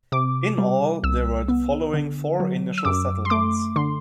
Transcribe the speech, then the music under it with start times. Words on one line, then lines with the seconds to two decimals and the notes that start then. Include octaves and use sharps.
In all, there were the following four initial settlements.
0.12 C3 D6
0.58 G3
1.03 C2 E6
1.48 B3
1.94 D3
2.40 F#3
2.78 E6
2.85 F#2 D6
3.25 C6
3.30 A3 D6
3.76 D3 C6